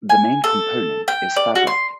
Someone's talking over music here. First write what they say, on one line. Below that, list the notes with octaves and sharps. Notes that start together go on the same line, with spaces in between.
The main component is fabric.
G#5
A4
G5
D5
F#4
C6